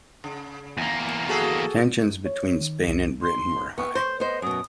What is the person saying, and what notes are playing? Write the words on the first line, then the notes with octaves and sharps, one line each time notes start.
Tensions between Spain and Britain were high.
C#3
E2 A#3
F#4 G#4 A4
C#5
D#3
C2
C6
B3 C#6
C5
B3 C5 D#5
F#2 B2 D#6